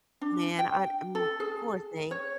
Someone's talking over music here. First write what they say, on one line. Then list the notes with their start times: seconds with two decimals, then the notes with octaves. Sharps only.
man, I, m poor thing,
0.21 D4
0.59 G5
1.15 A4
1.40 G#4
2.11 C#5